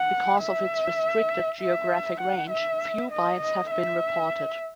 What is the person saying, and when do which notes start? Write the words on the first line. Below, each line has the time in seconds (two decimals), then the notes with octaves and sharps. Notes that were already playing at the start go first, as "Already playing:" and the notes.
Because of its restricted geographic range, few bites have been reported.
Already playing: F#5
0.42 E5
1.61 E5
2.21 F#5
2.51 E5
3.11 D#5
3.41 D#5
3.71 E5